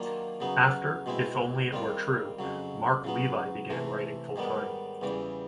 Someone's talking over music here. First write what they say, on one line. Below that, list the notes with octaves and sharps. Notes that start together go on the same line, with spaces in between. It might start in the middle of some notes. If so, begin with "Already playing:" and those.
After If Only It Were True, Marc Levy began writing full-time.
Already playing: D#3 F#3 A#3 D4 F4
C#3 F#3 B3 D#4
B2 G#3 C4 E4
D#3 G3 C4 F4
F2 C#3 F#3
C#3 F#3 B3
C3 E3 A3
G#2 D#3 G3 B3
E2 C#3 E3 G3